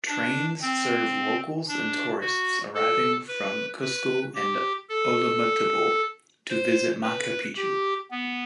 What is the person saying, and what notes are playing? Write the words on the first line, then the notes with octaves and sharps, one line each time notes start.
Trains serve locals and tourists arriving from Cusco and Ollantaytambo to visit Machu Picchu.
D4
C4
D4
F#4
A4
B4
B4
G4
A4
C5
B4
G4
B3